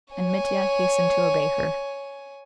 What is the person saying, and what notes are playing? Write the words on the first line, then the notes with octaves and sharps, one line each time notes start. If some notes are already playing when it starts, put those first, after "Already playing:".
And Mitya hastened to obey her.
C#5 G#5